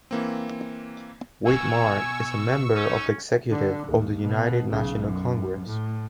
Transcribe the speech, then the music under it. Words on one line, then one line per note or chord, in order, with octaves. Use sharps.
Wade Mark is a member of the executive of the United National Congress.
E3 A#3 C4
B2 G#5 C#6 E6
C#4 D#4
D3
D#2
B2
B1 C#3
F#2
A2